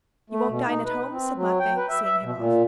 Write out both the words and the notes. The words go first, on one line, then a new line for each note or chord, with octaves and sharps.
"You won't dine at home?" said Matvey, seeing him off.
A3
B2
D#4
B4
C4
F#3
G5
B4
E5
E5
B2
A#2